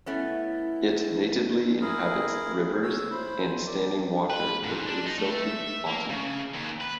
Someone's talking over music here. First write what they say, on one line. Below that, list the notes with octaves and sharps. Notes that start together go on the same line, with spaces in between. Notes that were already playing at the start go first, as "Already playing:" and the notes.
It natively inhabits rivers, and standing water with a silty bottom.
A3 B3 C#4 E4
E4 G#4 A#4
C#5 E6
E4 C5 B5
D5
B4
G#2
D4
D#4
A3
E5
A#3
C#3
D#2
B4